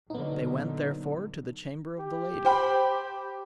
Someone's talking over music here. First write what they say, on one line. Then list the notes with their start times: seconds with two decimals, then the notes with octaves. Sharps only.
They went therefore to the chamber of the lady.
0.10 A#2 D3 F#3 B3 D#4
2.00 G4
2.45 C5 G5 B5